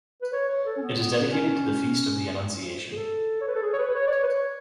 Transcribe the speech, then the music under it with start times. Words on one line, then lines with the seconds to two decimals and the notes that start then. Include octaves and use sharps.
It is dedicated to the Feast of the Annunciation.
0.22 B4
0.33 C#5
0.49 C#5
0.66 A4
0.77 C#4
0.82 B3
0.98 B3
1.20 D4
1.31 C#4
2.92 G#4
2.96 A4
3.41 C#5
3.47 B4
3.55 A4
3.63 G#4
3.73 C#5
3.78 B4
3.89 B4
3.95 C#5
4.07 D5
4.11 C#5
4.23 B4
4.28 C#5